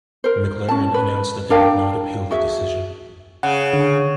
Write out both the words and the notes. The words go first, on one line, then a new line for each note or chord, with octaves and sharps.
McLaren announced that they would not appeal the decision.
A#4 C5
C#4 A5
B4
D4 A#4 F5 G5
F#4 G#4 E5
C#3 F#5
D3